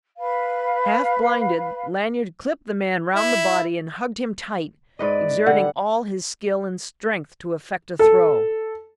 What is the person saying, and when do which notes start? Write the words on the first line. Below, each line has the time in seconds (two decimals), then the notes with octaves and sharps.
Half blinded, Lanyard clipped the man round the body and hugged him tight, exerting all his skill and strength to effect a throw.
0.19 B4 F5 B5
3.16 E4
4.99 G#2 B4 D5 D#5
5.46 D3 G3 F#5
7.99 A4